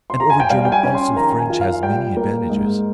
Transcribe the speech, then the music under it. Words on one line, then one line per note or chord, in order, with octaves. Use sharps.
And over German also French has many advantages.
C6
A#5
G#5
G5
G3 F5
G5
G#5
C#4
C6
D#3 A#5
G#5
F4
F5
G3 G5
A#3
G#2